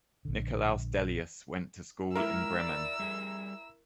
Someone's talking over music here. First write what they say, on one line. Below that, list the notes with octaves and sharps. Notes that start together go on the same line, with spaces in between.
Nikolaus Delius went to school in Bremen.
A#1 D3
G#3 E4 F4 A#4 E6
D5
G3 G#4 E5